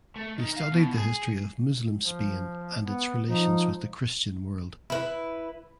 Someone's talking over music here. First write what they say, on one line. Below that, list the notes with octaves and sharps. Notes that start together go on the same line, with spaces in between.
He studied the history of Muslim Spain and its relations with the Christian world.
A3
D#3
F5
B2
G#4
F3
B3
F3 D#4
E4 B4